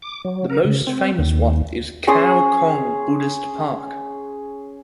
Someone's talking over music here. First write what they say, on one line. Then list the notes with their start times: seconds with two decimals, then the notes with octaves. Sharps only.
The most famous one is Khao Kong Buddhist Park.
0.02 D6
0.25 F#3
0.50 A#4
0.65 C#3
0.87 C4
1.19 D#2
2.07 C#4 G#4 C6 D#6